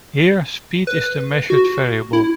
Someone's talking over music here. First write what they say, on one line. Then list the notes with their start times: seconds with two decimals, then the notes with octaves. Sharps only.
Here speed is the measured variable.
0.87 B4
1.50 F#4
2.13 E4